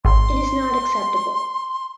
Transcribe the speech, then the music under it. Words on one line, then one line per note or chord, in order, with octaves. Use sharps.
It is not acceptable.
G#1 C6